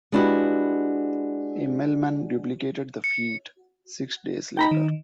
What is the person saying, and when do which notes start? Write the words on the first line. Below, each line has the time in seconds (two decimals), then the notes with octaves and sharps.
Immelmann duplicated the feat six days later.
0.12 G#3 B3 D4 E4 F#4 G4
3.04 C#7
4.57 D#4 G5 A#5 B5
4.71 D#3